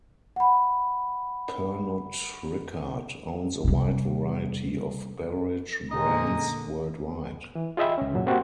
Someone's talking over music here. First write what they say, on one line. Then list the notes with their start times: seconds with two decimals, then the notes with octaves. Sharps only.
Pernod Ricard owns a wide variety of beverage brands worldwide.
0.36 F#5 B5
3.64 C3 G3
5.89 A#2 D3 G#3 D#4 D#5 A#5
7.55 E3
7.77 F4 G#4 D#5 E5 G5 B5
7.98 C#2 C#4
8.14 F#2 A#2 F#3
8.26 A#3 C4 F#4 G4